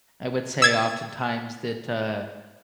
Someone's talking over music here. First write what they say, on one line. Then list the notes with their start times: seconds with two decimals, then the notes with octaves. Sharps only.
I would say oftentimes that, uh,
0.62 E6 G#6 A6